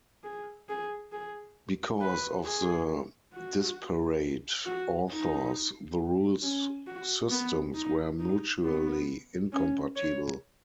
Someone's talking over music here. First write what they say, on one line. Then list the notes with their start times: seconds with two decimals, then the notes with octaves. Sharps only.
Because of the disparate authors, the rules systems were mutually incompatible.
0.24 G#4
0.69 G#4
1.12 G#4
2.01 B4
2.45 G#4
3.34 F#4
4.66 F#4
5.11 D#4
6.43 C#4
6.87 F#4
7.31 B3
7.75 D#4
8.20 D#4
8.65 B3
9.53 C#4
9.97 C#5